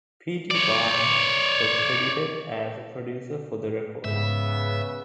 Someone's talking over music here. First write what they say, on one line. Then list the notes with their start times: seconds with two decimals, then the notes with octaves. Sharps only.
P. T. Barnum was credited as a producer for the record.
0.51 C#5 D5
4.05 G#2 C#3 B3 E5